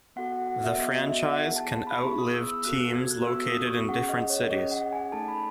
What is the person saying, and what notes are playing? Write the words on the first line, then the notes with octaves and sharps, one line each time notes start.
The franchise can out-live teams located in different cities.
B3 F#4 A4 F#5
F#5
F#5
E5
B3 F#4 A4 D#5
D#5
E5
F#5
B3 E4 G#4
A5
A5
B5
B3 E4 G#4 C#6
D#6
E6
E6
B3 F#4 A4 F#6
F#6
G#6
F#6
B3 F#4 A4 E6
D#6
C#6
C#4 G#4 F#5
D#5
C#5
C#4 G#4 D#5
F#5
G#5
A3 D#4 A4 A5
B5